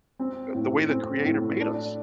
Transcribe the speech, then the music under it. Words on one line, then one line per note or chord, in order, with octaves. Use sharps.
the way the creator made us,
C4
A2
C4
A2
D4